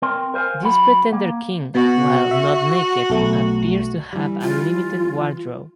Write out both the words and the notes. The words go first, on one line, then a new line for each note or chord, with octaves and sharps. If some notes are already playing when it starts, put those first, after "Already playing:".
This pretender King, while not naked, appears to have a limited wardrobe.
C4 A#4 C6
A#4 C5 D#5 F5 G#5
F#3 F#4 F#5 B5
A#3
B2 F#4
E5
B1 A3
E3 G3
F4